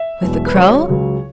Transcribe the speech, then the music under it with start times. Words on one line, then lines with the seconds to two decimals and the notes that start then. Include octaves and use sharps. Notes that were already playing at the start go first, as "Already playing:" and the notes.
'With the crow?
Already playing: E5
0.22 E1 E2 B2 F#3
0.46 B4
0.54 C#2 C#3 F#3 C#5
0.88 C#2 C#3 F#3